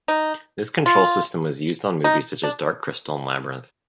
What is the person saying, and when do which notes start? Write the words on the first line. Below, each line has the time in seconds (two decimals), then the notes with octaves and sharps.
This control system was used on movies such as Dark Crystal and Labyrinth.
0.08 D#4
0.86 F4
2.04 D#4
2.44 D4